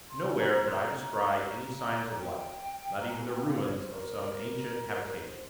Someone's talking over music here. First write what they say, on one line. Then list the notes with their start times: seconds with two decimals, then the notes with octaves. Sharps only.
Nowhere could I descry any signs of life; not even the ruins of some ancient habitation.
0.09 C6
0.23 G#5
0.37 A#5
0.53 C6
0.66 C6
0.71 A#5
1.25 A#5
2.11 G5
2.99 A#5
3.12 G#5
3.27 G5
3.42 F5
3.56 C#5
3.71 C5
3.85 C5
3.89 A#4
5.16 C#5
5.20 C5